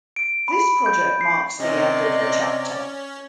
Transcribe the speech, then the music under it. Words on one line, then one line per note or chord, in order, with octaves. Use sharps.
This project marks the end of the chapter.
D7
B5
G6
C7
C3 C#4 D5 D#5